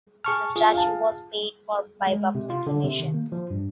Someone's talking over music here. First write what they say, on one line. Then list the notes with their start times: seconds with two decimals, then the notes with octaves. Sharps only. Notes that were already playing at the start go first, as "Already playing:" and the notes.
The statue was paid for by public donations.
0.24 G#4 A5 C#6 F6
0.56 F4 G#4
0.74 F5 A5
2.07 G#3
2.35 C3
2.50 F4
2.67 D3
2.84 C3
3.00 D#3
3.14 A#3
3.32 F3
3.50 G2